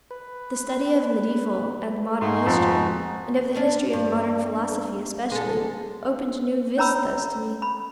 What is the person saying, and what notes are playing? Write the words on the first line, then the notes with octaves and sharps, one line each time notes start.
The study of mediaeval and modern history, and of the history of modern philosophy, especially, opened new vistas to me.
B4
G#2 D#4 F#4 G#4 C6
F2
C#4 D4
G2
G#3 A4
C#4 C#5 A#5 B5 E6
B5